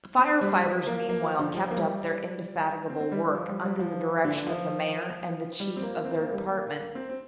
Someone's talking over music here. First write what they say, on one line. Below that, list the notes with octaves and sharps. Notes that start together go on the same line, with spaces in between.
The fire-fighters meanwhile kept up their indefatigable work under the direction of the Mayor and the chief of their department.
C4
G3
F3
A#3
A#3
F3
D3
F3
A#3
G3
C4
C4
G3
G3
F3
G3
G3
F3
D3
F3
G3
C4
A#3
C4
A#3
G3
A#3
C4
C4